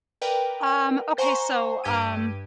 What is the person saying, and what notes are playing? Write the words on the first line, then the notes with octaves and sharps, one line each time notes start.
Um, okay, so, um,
A#4 B4 D5 G5
C5 F#5 G#5 A#5 C6 C#6
G2 G4 G#6 D#7